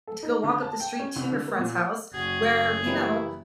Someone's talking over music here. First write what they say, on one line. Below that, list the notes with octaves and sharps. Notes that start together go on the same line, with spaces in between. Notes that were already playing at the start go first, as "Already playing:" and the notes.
to go walk up the street to your friend's house where, you know
A4
D#4
D3
A5
G5
C#4
C2
D3
A#3
A#2
F#1 F#4 G#4
E3 G3 A#3 E4